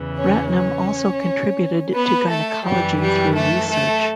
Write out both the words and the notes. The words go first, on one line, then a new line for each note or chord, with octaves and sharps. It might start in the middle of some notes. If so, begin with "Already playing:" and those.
Ratnam also contributed to gynaecology through research.
Already playing: E2 C#3 E3
C#4 C#5
C#4 C#5
B3 B4
A3 A4
F#2 E3 G3 G4
G3 G4
A3 A4
A3 A4